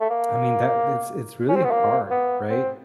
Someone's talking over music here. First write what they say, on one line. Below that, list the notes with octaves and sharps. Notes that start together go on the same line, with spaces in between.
I mean, that it's it's really hard, right?
A3
A#3
C#4
C4
B3
A#3
B3
C4